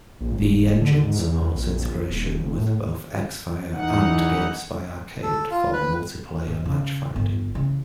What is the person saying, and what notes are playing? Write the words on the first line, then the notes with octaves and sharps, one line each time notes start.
The engine supports integration with both Xfire and GameSpy Arcade for multiplayer match finding.
A#1
D#1
E1
D3
G#2
E2
A#1
D#1
F1
A2
E2 E3 D#4 F#5
A4
F4
B4
G2
C#3
G1
C#3 E3